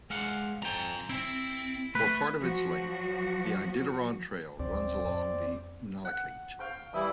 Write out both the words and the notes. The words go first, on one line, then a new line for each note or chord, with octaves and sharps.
For part of its length, the Iditarod Trail runs along the Unalakleet.
G#3 F5 F#5
F2 G5 G#5 A#5
C4 E4
A3 B4
F3 F#3 F#4
D2 A#2 F3 C4 D5
F2
F#5
F5 G5 C#6
E3 G3 E4 D#6